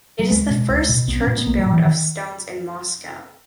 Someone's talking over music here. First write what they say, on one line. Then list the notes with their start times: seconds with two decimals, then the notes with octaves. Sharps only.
It is the first church build of stones in Moscow.
0.19 F#3
0.31 C#2 G#3
0.50 B2
0.70 C#2
0.89 B2
1.08 B1 B3
1.21 C#4
1.27 A#2
1.37 B3
1.47 B1 A#3
1.59 F#3
1.66 A#2
1.72 E3
1.85 D#3